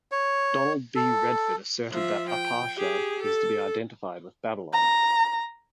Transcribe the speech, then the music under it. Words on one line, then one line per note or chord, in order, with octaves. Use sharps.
Donald B. Redford asserted that Arpachshad is to be identified with Babylon.
C#5
A4
F3 E5
G5
G4 G#4
A4
A#5